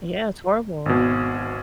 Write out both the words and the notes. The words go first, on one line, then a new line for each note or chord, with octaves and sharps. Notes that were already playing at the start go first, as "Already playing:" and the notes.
Yeah, it's horrible.
G#1 B2